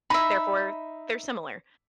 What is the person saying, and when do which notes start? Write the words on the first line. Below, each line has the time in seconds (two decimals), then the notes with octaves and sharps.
therefore, they're similar,
0.10 D#4 E5 B5